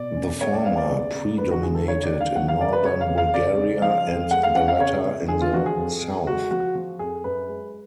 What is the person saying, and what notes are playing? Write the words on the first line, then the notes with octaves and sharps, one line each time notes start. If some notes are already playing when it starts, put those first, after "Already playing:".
The former predominated in northern Bulgaria and the latter in the south.
Already playing: B2 D5
C#4
G#3 C#5
D5
B3 F5
D5
C#3
C#3
D3 B4
F#4
D3 G#4
A4
D3 C#5
D5
D3
F5
F#3 F#5
F5
C#3 D5
B4
C#3 C#5
F5
C#3
F5
C#3 D5
C#3
F3 F5
F2
G#3 F#5
F5
C#4 F#5
F5
C#3 C#5
C#3
D3 G#4
F4
F3 F#4
G#4
F2
F2
G#3 F#4
F3 F#4
F3
F2 G#4
F#2 B4
G#3